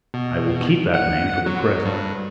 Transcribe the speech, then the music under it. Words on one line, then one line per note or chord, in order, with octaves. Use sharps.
I will keep that name for the present.
B2
F#5
F#3
G2